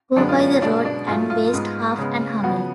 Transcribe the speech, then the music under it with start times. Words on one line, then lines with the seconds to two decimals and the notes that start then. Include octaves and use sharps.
Go by the road and waste half an hour!
0.16 F#2 D3 G#3 B3 D4
0.29 F4
0.40 D4
0.51 C#4
0.62 B2 G#3 B3 D4
0.85 D4
1.07 G#2 F#3 A3 F4
1.30 F4
1.53 G#2 G#3 B3
1.98 C#3 G#3 B3
2.43 C#3 F3 B3 F#4